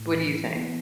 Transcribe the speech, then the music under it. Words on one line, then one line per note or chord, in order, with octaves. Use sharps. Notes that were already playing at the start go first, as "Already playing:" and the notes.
What do you think?
Already playing: A2
E3
B3